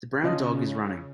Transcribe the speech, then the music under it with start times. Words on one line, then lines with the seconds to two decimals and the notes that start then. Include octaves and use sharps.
The brown dog is running.
0.24 C#3 F4 D#5 A5